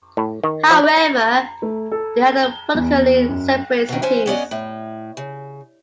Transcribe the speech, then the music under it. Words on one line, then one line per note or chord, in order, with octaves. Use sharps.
However, they are politically separate cities.
A2
D#3
F3
D5
A3
A4
G7
E2
F#2
B2 D#3
E3 C#4 C5 G#5
B3 C#4 D5 D#5
A2
C#3